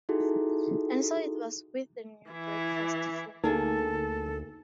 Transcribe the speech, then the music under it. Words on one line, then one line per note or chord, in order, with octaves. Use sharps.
And so it was with the new breakfast food.
D#4 E4 F#4 G#4 A4
E3 E4
D2 A#3 D#4 G#4 A4